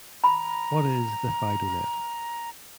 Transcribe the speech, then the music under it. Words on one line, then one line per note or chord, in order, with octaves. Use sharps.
What is the "FidoNet"?
A#5 B5